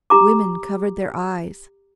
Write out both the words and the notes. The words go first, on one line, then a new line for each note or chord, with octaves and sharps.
Women covered their eyes.
G4 A#5 D6